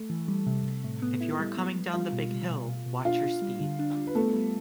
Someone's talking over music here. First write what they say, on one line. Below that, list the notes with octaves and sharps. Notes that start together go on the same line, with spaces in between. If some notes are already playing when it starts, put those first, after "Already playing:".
If you are coming down the big hill, watch your speed!
Already playing: A3 A4
E3
G3
C3
C3
A2
B3
E4
G3
B3
G3
G3 F4
B2
G3
B2
B2
B2
D4 F4
D4
G3
D3
D4
G3
B4
A3 B3 A4
G3